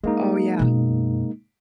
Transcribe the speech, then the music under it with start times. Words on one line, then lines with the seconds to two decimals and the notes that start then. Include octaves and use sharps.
Oh yeah.
0.04 G#3 A#3 D4 D#4
0.59 F#2 B2